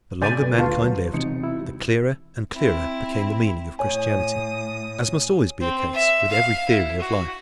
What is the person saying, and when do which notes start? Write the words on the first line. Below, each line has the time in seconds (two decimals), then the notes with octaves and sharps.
The longer mankind lived, the clearer and clearer became the meaning of Christianity, as must always be the case with every theory of life.
0.22 G#2 C#3 D5 G#5 G6 A6 B6
0.40 F#2 B2 A4 B4
0.58 D2 F4 B4 A5 C#6
0.83 F#3
1.13 E1 C3 D#4 C#7
1.43 E4
2.54 C4 E4
3.79 A2 C#5 G#5 D#6
5.61 C4
5.93 E5
6.29 F5
6.68 E4
6.99 F#4